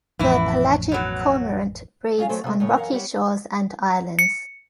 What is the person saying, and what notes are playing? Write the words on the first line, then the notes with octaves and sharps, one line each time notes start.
The pelagic cormorant breeds on rocky shores and islands.
A1 F2 A2 E3 E4
B2 F#3
G#3 C#4 F4 F#4 F5
F#3 A3 C#4 A4 C5
C3 A3
A2 C#3 C#5
F#2 E3 A#4 F5 F#5
G3 G4 C#5 F#5
C#7